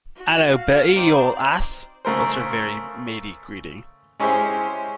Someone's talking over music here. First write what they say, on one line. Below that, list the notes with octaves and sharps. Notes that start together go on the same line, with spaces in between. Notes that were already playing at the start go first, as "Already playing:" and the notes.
"Hallo, Bertie, you old ass," was her very matey greeting.
F#4
F5
C4 D#4 C5 D5
C#3 A3 A#4 C5
G#3 C#4 E4 G4 G#4 C5